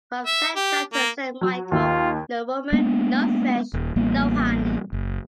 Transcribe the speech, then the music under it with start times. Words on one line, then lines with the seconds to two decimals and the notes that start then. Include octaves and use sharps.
From Saint John to Saint Michael, no woman, no fish, no honey.
0.26 E5
0.56 G4
0.93 A#3
1.41 F#3
1.71 D#2 F4
2.72 G#3 A#3 B3 D4
3.74 D#1
3.96 A1 G3 A#3 B3
4.93 F#1